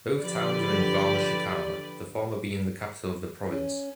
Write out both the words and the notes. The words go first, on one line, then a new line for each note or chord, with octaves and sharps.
Both towns are in Valle Chicama, the former being the capital of the province.
D3 F3 G4 B4 D5
C#4